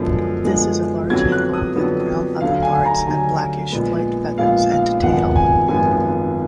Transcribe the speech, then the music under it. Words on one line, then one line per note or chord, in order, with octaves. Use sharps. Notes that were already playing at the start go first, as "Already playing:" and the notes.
This is a large eagle with brown upperparts and blackish flight feathers and tail.
Already playing: F#2 D3 F3 G#3 B3
F#2 D3 F3 G#3 B3
F2 D3 F#3 B3 G#6
F#6
D#6
F2 D3 F#3 B3
D2 D3 F#3 F5
G#5
A#5
D2 D3 F#3 G#5
A#1 A#2 G#3 B3
A#1 A#2 G#3 B3 F5
F5
G#1 F#2 F3 G#3 B3 F#5
G#5
G#1 F#2 F3 G#3 B3 G#5